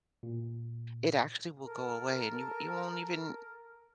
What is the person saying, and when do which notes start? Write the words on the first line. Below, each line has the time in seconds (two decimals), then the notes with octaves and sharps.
it actually will go away, and you w you won't even
0.23 A#2
1.64 A4 A#4